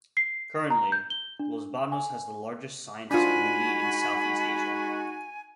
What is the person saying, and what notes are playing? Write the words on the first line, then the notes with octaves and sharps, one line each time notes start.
Currently, Los Banos has the largest scientist community in South East Asia.
C7
A#5
G6
G7
D4
G#5
G#3 D4 D#4 F4 F#4 G#5 B5